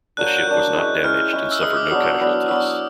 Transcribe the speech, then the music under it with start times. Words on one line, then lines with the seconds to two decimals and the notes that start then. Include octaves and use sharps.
The ship was not damaged and suffered no casualties.
0.17 F#3 A#3 D4 F#6
0.26 G6
0.37 F#6
0.47 F#3 A#3 D4
0.75 G#3 C#4 E4
1.04 G#3 C#4 E4 F6
1.33 G#3 C#4 E4
1.52 E6
1.62 G#3 C#4 E4 D#6
1.77 D6
1.90 F#3 B3 D4 D#6
2.19 F#3 B3 D4
2.48 F#3 B3 D4 E6